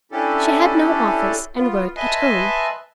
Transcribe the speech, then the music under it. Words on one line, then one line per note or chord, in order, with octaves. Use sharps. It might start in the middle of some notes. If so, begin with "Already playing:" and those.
She had no office, and worked at home.
C#4 D4 E4 G4 A4
B3 F4
B4 D#5 E5 G#5 A5 C6